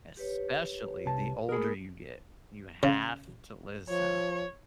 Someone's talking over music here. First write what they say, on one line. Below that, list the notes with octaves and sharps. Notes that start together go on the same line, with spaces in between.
especially the older you get. You have to listen.
G4 B4 C#5
C2 A5
A#3 G#4 A#4 B5 D#6
C#3
F3 C#5